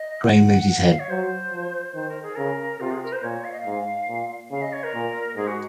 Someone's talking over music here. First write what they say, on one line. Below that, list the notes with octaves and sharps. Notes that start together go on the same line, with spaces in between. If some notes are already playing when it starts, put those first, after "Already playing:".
Graham moved his head.
Already playing: D#5
F#5
F#5
F5
F5
C#5
F#3 C5
F3
D#3 C5
A#4
G#4
C#3 A#4
C3 F4
G#4
A#4
C5
A#2 C#5
F5
D#5
F5
G#2
A#2
C#3 F5
D#5
C#5
A#4
A#2
G#2 G#4
F#4